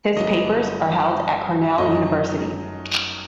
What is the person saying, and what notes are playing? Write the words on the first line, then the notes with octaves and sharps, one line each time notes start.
His papers are held at Cornell University.
G1 G2 F#3 A3 D#5
F#2 F#3 A3 D#4 D#5